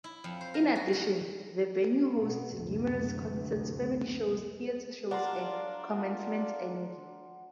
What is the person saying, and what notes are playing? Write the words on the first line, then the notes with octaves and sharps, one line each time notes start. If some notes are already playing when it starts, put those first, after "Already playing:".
In addition, the venue hosts numerous concerts, family shows, theater shows, and commencements annually.
E4
F2
C5
A#4
F#4
D3
B2 B3
F#1 D2 C3
D4 F4 A#4 D5 F#5 A#5 C6